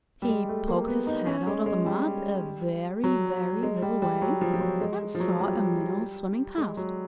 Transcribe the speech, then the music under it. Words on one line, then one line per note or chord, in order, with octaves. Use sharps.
He poked his head out of the mud a very, very little way, and saw a Minnow swimming past.
G3
G#3
A3
A#3
B3
D#4
C#4
G#3
G#3
G3
F#3
G#3
G3
G3
F#3
F3
F3
F#3
G#3
F3
F#3
G3
G#3
F#3